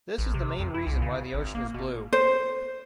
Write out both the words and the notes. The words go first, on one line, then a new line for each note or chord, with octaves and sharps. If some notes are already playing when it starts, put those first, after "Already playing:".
This is the main reason why the ocean is blue.
A1
C3
F2
E4
C2
C#3
G#1
A#3
B2
C5